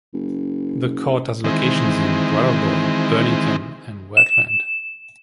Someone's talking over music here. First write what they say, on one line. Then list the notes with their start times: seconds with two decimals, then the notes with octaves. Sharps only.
The court has locations in Brattleboro, Burlington, and Rutland.
0.14 F#1
1.44 D#3 E3 G#3 C4
4.17 E7